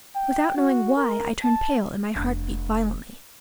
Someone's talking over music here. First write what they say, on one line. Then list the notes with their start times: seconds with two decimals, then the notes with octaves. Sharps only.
Without knowing why, I turned pale and my heart beat violently.
0.15 G5
0.57 F#4
0.96 A#4
1.44 A5
2.16 F1 D4